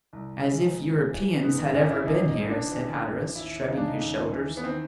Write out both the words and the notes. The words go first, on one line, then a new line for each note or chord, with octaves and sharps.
"As if Europeans had ever been here!" said Hatteras, shrugging his shoulders.
C2
G#3
G#2
E3
G#2 B3
A1 C#4
E4
A1 D#4
D#4
A1
D4
E3
A1
D#2 E4
C#3 D#4
D4
D#4
D#2
E3
B3
D#3 C4